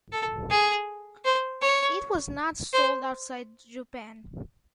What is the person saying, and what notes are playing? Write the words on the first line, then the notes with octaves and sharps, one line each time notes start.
It was not sold outside Japan.
A4
G#4
C5
C#5
C5